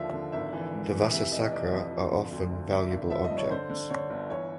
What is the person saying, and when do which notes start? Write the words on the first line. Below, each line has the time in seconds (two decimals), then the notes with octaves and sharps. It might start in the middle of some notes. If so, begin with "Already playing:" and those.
The vasa sacra are often valuable objects.
Already playing: D#2 D3 F3 E5 F5
0.13 D3
0.32 G#1 E5
0.53 E3
0.73 G#2
0.92 E3
1.12 C3 E5
1.31 F1 D#5
1.46 D#5
1.51 C3 D5
1.72 F2
1.91 F3
2.12 D3
2.31 D2
2.51 D2
2.71 D3 E5
2.90 G#1
3.10 F3 E5
3.24 D#5
3.30 G2
3.38 C#5
3.50 D3 C5
3.69 D3
3.90 D3 C#5
4.10 G1
4.29 E3 C#5